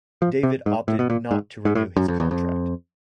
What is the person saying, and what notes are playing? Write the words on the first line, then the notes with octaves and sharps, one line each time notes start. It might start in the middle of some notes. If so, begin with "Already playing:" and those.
David opted not to renew his contract.
F3
C3
G#2
A2
B2
A#2
G#2
G#2
A2
F#2
F2
E2
F2